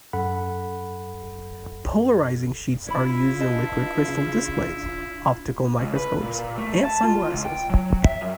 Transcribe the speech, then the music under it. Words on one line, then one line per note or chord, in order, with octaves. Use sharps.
Polarizing sheets are used in liquid-crystal displays, optical microscopes and sunglasses.
F#2 A4 F#5 B5
C#4 D4 E4 F4 B5
B4 D#5 A5
C#3
C#2
B4
A#2
A3
A5
F4
C#2
G5
F#3
E5
F#2